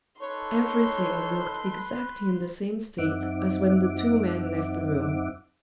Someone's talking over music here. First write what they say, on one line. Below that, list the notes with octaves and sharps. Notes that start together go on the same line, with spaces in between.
Everything looked exactly in the same state as when the two men left the room.
D#4 A4 B4 C#5 C6
F#2 C4 D#4 E5 F#5 D6